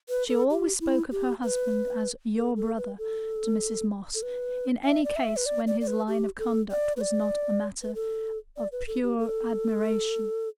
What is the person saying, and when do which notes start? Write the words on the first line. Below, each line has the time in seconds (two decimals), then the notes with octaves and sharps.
She always spoke of her husband as "your brother" to Mrs. Moss in any case when his line of conduct was not matter of pure admiration.
0.09 B4
0.29 A4
0.50 G4
0.80 E4
1.12 G4
1.43 B4
2.35 A4
2.56 A4
2.77 B4
2.98 A4
4.15 A4
4.23 B4
4.84 E5
5.04 D5
5.16 E5
5.37 B4
5.46 D5
5.67 D5
5.81 D5
5.87 B4
6.08 G4
6.39 A4
6.71 D5
6.97 B4
7.02 D5
7.83 B4
7.95 A4
8.57 D5
8.72 B4
8.88 A4
9.03 G4
9.18 A4